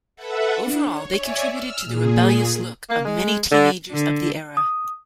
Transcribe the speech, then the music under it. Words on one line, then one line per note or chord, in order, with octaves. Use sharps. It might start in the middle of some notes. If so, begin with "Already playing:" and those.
Overall, they contributed to the "rebellious" look of many teenagers of the era.
A4 B4 E5 F#5
D4
C#5
C#5 D5 E5 G#5
E6 F6
A#2 G#4
A#3
G#3
D3
D3
D#6